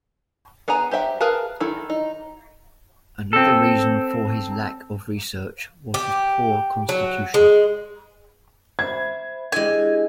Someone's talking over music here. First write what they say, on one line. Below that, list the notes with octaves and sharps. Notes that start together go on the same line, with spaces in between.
Another reason for his lack of research was his poor constitution.
B3 G#4 G#5 A#5
G4 C5 E5 G5
G#4 A#4 B4 F5 A5
D#3 E4 A4
D#4
C4 A4
G4
F#3
G#3
C5 E5 B5 G#6
G#3 D4 E4 G4 D5 G#5